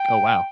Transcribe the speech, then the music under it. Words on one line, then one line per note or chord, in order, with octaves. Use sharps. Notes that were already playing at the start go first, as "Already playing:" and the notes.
Oh, wow.
Already playing: G5